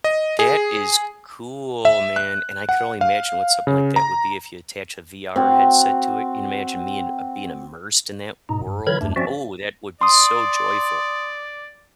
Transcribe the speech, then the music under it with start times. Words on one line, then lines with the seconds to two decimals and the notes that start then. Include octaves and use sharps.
That is cool, man, and I could only imagine what something like that would be if you attach a VR headset to it. You imagine me, and, uh, being immersed in that world, and, oh, that would be so joyful.
0.04 D#5
0.39 G#4
1.85 E5
2.16 F#6
2.69 F#5
3.01 F5
3.67 C#3
3.96 A#5
5.36 C4 F#4
8.49 G#2 B2 D#4
8.67 G2
8.87 D3 E3 F#3 A#4 B5 G#6
9.01 E2 G2 A3 D4
9.16 F3 C4 C#4 F#4 D5 E5
10.01 D5 C6 D#6